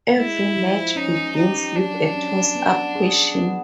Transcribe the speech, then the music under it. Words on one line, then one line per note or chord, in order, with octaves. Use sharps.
Every match begins with a toss-up question.
G#3 E4
F3
C#4 D#4
D#4 G4
F#3 D4
C#4
B3
G#4
B3